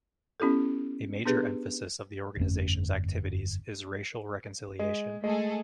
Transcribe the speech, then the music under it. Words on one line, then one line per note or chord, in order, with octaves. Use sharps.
A major emphasis of the organization's activities is racial reconciliation.
B3 C#4 E4 G4 A4
B3 D4 G4 G#4 B4
G1 F2 A3 C#4
G#3
G#3 A3 G#4 A4